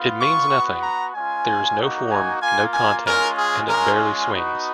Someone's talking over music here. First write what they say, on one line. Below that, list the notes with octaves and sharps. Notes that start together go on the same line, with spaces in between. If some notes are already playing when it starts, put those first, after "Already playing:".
It means nothing; there is no form, no content, and it barely swings.
Already playing: B3 F4
C#6
F#4
B3
A#5
G#3 C#4 F4 G#5
A#3 D#4 F#4
G#5
A#3 F4 G#5
G#5
G#3 C#4 F4 A#4
G#4
G#3 C#4 F4 A#4
B3 D#4 F#4